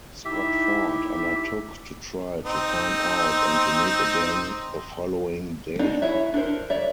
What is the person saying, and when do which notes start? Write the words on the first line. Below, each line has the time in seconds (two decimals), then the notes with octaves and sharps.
Scott-Ford undertook to try to find out and to meet again the following day.
0.25 D#4 E4 G4 E5
2.45 C4 D#4
5.79 C4 D4 D#4
6.02 E4 G#4 C#5 E5
6.34 D4 A4 A#4 C5
6.70 C#5 D5 E5